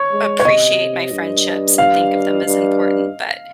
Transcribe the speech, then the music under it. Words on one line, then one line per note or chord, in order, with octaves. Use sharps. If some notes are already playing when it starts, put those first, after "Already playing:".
appreciate my friendships and think of them as important, but,
Already playing: C#5
G#3
C#5
C3 D#5
G2
F5
G2